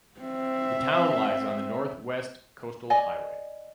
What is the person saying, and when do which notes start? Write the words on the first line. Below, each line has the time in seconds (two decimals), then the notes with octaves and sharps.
The town lies on the North West Coastal Highway.
0.20 C4 E5
2.90 D5 D#5 G#5